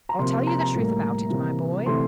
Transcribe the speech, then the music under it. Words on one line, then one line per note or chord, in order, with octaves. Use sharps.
I'll tell you the truth about it, my boy.
A#5
C3 F3 A#3 C6
A#5
A#5
A2 G3 A#3
C3 E3 A#3
C3 E3 A3 C6